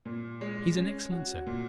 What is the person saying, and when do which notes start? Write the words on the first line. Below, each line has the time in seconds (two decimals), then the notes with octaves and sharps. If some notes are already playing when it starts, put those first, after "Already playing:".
He's an excellent servant.
0.05 A#2
0.41 G#3
0.76 C#4
1.12 F#4
1.47 A#2